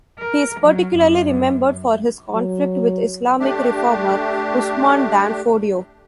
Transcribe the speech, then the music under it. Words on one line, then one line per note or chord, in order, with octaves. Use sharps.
He is particularly remembered for his conflict with Islamic reformer Usman dan Fodio.
A#4
F#3
F#2
F#3
A3 D4 G4